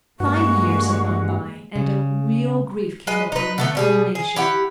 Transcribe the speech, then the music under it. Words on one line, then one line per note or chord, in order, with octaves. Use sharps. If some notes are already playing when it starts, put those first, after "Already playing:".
Five years had gone by, and a real grief came upon the whole nation.
G2 G#3 A#3 F#4 C#6
C#3
G#3 B4 D#5
D#4 B4
D3 A3 B3
B2 G3 G#4
G#4
E4 G4 F#5